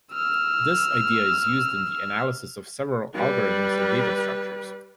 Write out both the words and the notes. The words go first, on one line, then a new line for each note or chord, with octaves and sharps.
This idea is used in the analysis of several algorithms and data structures.
E6 F6
G3 B4